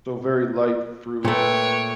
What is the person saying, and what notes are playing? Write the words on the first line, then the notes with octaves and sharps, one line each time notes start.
so very light fruit,
A#2 A3 B4 C#5 G5